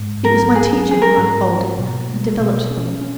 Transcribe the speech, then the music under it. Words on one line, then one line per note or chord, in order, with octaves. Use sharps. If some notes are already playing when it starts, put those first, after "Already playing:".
It was my teacher who unfolded and developed them.
Already playing: G#2
F#3 A#4
F#3 G#4
C#4 G#4
A#4
G#2
A#3
B2
A#3
B2
C#4
C#4